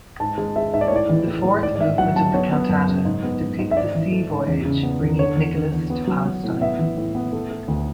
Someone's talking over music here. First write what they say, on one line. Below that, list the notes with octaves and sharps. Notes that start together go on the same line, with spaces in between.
The fourth movement of the cantata depicts a sea voyage bringing Nicolas to Palestine.
G#2 A5
G#3
G#3 E5
G#2 E5
D5
C#5
A2 D5
E3
A2
A2
G#2 D5
D5
G#2 E5
F#3 F#5
F#3 A5
B3 C#5
B3
F#2
C#3
G#2
B3
G#2
G#2
E5
G#2 D5
E3
A3
G#2
E2
C#3
B3
E2
D3 C#5
E2
D3
E2
B3
F#3
F#3
A2
B3 E5
E3
A2
B3
A3
A3
D2